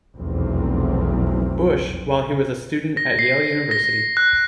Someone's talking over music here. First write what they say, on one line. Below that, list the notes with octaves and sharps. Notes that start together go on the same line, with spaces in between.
Bush while he was a student at Yale University.
F1 B1 E2 C4
A#6
C7
A#6
F#6